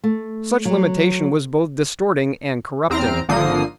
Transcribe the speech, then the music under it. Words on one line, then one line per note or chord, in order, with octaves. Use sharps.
Such limitation was both distorting and corrupting.
A3
F#3
E2 C4 A#5 F6 D7
G#1 D3 F3 A#3 D#6 C7